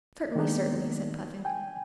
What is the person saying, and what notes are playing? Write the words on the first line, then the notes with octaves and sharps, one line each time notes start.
"Certainly, certainly," said Puffin.
D#3 G#3 A#3 B3 D4 D#4
G5 G#5